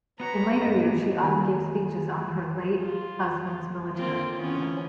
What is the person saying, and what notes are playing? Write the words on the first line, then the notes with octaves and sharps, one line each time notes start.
In her later years she often gave speeches on her late husband's military career.
B3 F#4 B4 C#5 A#5
G#2 D4 D#5
D#3 G#3 A#3 G#5 A#5
F4
A#3 C4 F4
E3 B3 C#4